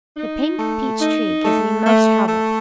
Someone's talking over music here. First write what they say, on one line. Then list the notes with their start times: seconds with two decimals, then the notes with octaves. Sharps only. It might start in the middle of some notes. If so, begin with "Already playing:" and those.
The pink peach tree gives me most trouble.
0.17 D#4
0.58 A3
1.01 D#4
1.43 A3
1.86 A3
2.28 A3